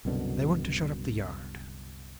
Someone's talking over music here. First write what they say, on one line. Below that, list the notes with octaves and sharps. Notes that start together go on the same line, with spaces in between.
'They want to shut up the yard.'
C2 F#2 B2 D3